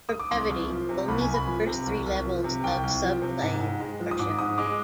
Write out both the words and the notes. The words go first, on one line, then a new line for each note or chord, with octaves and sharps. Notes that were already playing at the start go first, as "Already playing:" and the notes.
For brevity, only the first three levels of subclades are shown.
D#6
D6
C2 C6
C2
F3
C3
C2 B5
G#5
C2
B5
F3
C3
C2
C2
F3
C3
C2 G5
C2
F3
C3
G#2
G#2
G#3
F3
D#6
G#2 D6
G#2 D#6
G#3 D6